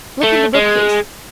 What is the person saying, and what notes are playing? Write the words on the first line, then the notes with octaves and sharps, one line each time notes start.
Look in the bookcase!
A3
G#3